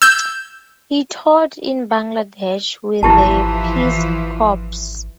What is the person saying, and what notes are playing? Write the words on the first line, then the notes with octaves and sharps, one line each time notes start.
He taught in Bangladesh with the Peace Corps.
E6 G6
G#1 E3 F3 E4 G4 A5